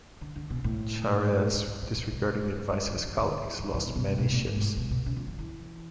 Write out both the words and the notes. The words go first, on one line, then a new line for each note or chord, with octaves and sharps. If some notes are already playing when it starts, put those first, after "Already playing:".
Chares, disregarding the advice of his colleagues, lost many ships.
D3
D3
B2
A2
G#2
A2
A2
A#2
C3
C#3
D3
G3
G3
F3
E3
D#3
D3
D3
E3
F3
E3
B2
B2
A#2
B2
A2
G#2
A#2
A2
B2
B2
C#3
F3
F3
E3